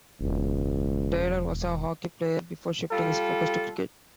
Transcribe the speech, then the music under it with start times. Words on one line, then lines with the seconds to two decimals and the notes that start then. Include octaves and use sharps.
Taylor was a hockey player before shifting his focus to cricket.
0.21 E1 C#2
2.92 G3 F4 A4